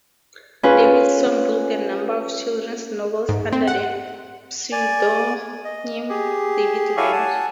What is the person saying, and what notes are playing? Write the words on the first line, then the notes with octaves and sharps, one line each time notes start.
Davidson wrote a number of children's novels under the pseudonym David Line.
C#4 F4 G#4 B4
G#2
C4
F#5
D5 G#5
D#5
G4 G#4
E4 G4 A4 F5 G#5 C#6
F#5 G#5 A5